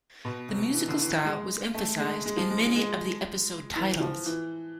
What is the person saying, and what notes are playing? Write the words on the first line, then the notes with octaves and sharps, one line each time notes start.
The musical style was emphasized in many of the episode titles.
B2
C3
E3
D3
E3
G#3
A3
G#3
G#3
F3
G#3
G#3
G#3
E3
F3
E3